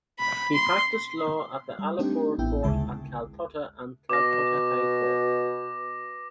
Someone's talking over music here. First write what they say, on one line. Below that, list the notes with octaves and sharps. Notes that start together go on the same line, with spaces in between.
He practiced law at the Alipore Court at Calcutta and Calcutta High Court.
B5
C6
G3
A3 C4 D4 D#4 G4
A1 B3 E4 G5
D2 C#3 G#3 G#4 E5 A5
B2 D6 A#6